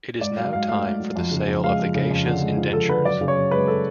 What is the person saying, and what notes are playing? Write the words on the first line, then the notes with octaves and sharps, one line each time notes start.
It is now time for the sale of the geishas' indentures.
G#2 D5
F#3 F5
G#2 F5
A3 F5
G#2
F#3
F2
C#3
F2
G#3 F5
F2
C#3
F2
D3
G#3
F3
F2 A4
D3 B4
F#2 D5
C#3
C#5
F#2
G#3 B4
A4